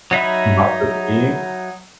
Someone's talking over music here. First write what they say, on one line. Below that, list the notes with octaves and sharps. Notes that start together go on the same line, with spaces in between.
not just me."
F#3 D#4 E5 B5